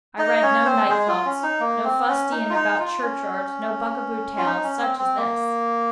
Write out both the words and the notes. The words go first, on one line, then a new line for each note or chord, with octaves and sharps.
I read no "Night Thoughts"--no fustian about churchyards--no bugaboo tales--such as this.
D#4 D#5
C#4 C#5
C4 C5
G#3 G#4
F4
C#4
D#4
A#3
C4
C#4
D#4
F4
D#4
F4
C#4
F4
D#4
C#4
C4
C4
A#3